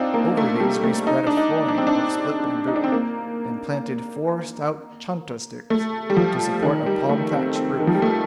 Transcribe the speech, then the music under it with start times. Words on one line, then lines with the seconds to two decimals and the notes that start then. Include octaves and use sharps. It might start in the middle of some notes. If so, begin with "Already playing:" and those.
Over these we spread a flooring of split bamboo, and planted four stout chonta sticks to support a palm-thatched roof.
Already playing: C4 D4 D#4 F4
0.14 A#3
0.37 A3
0.60 G3
0.83 A3
1.07 D#4
1.27 D4
1.37 D#4
1.68 D4
1.78 C4
1.87 D4
2.68 D#4
2.76 D4
2.84 C4
2.92 A#3
5.70 A3
6.10 G3
6.17 F3
6.63 D#3
6.86 G3
7.09 A3
7.33 C4
7.56 C4
7.80 D#3
7.87 F3
7.95 G3
8.02 A3